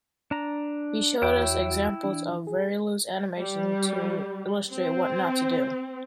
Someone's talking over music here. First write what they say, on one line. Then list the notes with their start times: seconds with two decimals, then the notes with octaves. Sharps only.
He showed us examples of very loose animation to illustrate what not to do.
0.31 D4 A#5
1.22 E2 E4 F#4 C#5 E5 G5
2.04 E3 D4
2.47 G#4
3.39 G3
4.73 C4